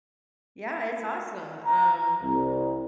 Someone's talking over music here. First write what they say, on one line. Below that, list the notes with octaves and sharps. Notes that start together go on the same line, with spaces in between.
Yeah, it's awesome, um,
A#5
C2